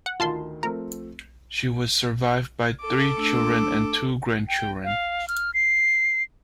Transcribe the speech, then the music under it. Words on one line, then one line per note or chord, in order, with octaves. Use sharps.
She was survived by three children and two grandchildren.
F#5
D2 D#3 F4 A5 C6
F3 A3 C4 A#4
A4 D6
A3 D4 E6
G5
F5
F6
C7